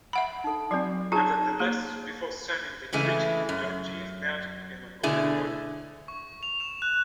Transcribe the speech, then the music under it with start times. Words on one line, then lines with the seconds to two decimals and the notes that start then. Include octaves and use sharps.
Nevertheless, before signing the treaty, Dorjiev met in Mongolia I.
0.13 E5 F#5 B5
0.44 D#4 A4
0.71 F#3 C4 F#4 G#4 D5
1.12 D#4 F4 G#4 C#5 A#5
1.59 A#3 G#4
2.93 C#3 E3 G#3 A3
3.49 F#2
5.03 B2 D3 A3 E4 G#4
6.08 C#6
6.43 F7
6.60 E7
6.82 F#6